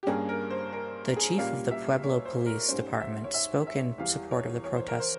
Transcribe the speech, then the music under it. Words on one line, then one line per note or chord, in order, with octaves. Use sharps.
The chief of the Pueblo Police Department spoke in support of the protest.
G4
G2 G3 A#3 C#4 G#4
A#4
C5
A#4
G#4
A#2 G3 A#3 C#4 F5
E5
C#5
C5
A#4
G#2 G3 C#4 C5
E5
C#5
E5
E5
E2 E3 G3 F5
C#5
C#5
C5
A#4
C5